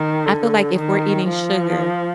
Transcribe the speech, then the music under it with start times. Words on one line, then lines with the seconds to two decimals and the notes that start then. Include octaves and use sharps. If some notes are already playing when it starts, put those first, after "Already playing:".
I feel like if we're eating sugar
Already playing: D#3
0.26 D3
0.77 D#3
1.29 F3